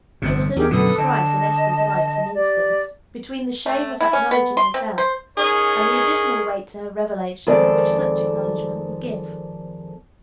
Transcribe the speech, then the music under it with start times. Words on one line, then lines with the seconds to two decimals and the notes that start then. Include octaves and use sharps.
There was a little strife in Esther's mind for an instant, between the shame of acknowledging herself, and the additional weight to her revelation which such acknowledgment would give.
0.22 G1 F2 C3
0.56 E2 G4 G#4 A#4
0.71 F#2 B2 D3 A4 B4 D#6
0.98 D3 D#5 A5
2.34 G4 D5
3.66 A3
4.01 E4
4.13 C#4
4.31 B3
4.57 C6
4.74 C4
4.98 C5
5.37 C#4 D#4 G#4 A#4 C#5
7.47 F2 D#3 G#3 C4 A4 D5